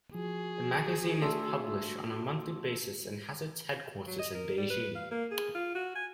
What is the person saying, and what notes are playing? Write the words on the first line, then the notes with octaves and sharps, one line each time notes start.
The magazine is published on a monthly basis and has its headquarters in Beijing.
F3 F#4 G#4
A3 D4 A4 E5 C6
F#3
D#5
A#4
G3
B4
F5
A#3
G#4
F4
F#4
G#5